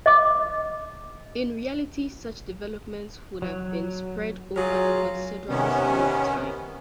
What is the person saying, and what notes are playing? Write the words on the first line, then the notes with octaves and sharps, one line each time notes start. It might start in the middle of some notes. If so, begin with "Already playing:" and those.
In reality, such developments would have been spread over a considerable span of time.
D#5 D6
F#3
F#3 F4 G#4 A#4
C3 D#3 B3 C#4